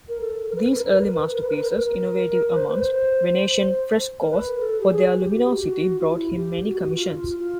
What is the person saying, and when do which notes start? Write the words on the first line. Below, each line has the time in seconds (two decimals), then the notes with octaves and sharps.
These early masterpieces, innovative amongst Venetian frescoes for their luminosity, brought him many commissions.
0.08 A#4
0.21 A4
0.49 A#4
0.56 B4
0.64 A#4
0.70 B4
0.78 A#4
0.85 B4
0.92 A#4
1.00 B4
1.06 A#4
1.14 B4
1.21 A#4
1.28 B4
1.36 A#4
1.43 B4
1.50 A#4
1.57 B4
1.64 A#4
1.71 B4
1.79 A#4
2.55 C5
2.68 B4
2.81 C5
4.20 A#4
4.30 B4
4.60 A4
4.80 G4
4.89 G#4
5.18 G4
5.32 F#4
5.45 G4
5.62 F#4
5.99 F4
6.06 E4
6.36 G4
6.65 F#4
6.95 F4
7.39 F4